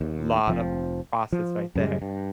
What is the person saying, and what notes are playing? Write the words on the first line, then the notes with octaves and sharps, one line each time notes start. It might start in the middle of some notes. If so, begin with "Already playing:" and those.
lot of a process right there.
D#2
F1 F3 C4
F3
F#2 C#3 G3 G#3
G2